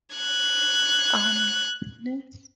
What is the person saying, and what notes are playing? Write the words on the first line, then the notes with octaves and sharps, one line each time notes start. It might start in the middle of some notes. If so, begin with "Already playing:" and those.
Oh my goodness.
F#6 G#6